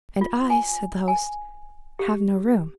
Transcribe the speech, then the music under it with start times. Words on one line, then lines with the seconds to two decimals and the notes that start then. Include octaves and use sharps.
"And I," said the host, "have no room."
0.21 F4
0.50 G#5
1.08 G#5
1.99 G4